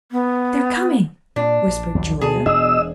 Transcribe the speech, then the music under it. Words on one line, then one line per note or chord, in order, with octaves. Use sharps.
"They're coming," whispered Julia.
B3
A#2 D4
A#1
D#2 F#3
D2 B2 G#4 A5
E1 D4 G#4 D#5 E6